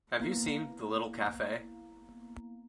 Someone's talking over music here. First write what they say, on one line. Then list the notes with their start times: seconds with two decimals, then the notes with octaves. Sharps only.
Have you seen "The Little Cafe"?.
0.20 A#3 B3 E4 F5 A#5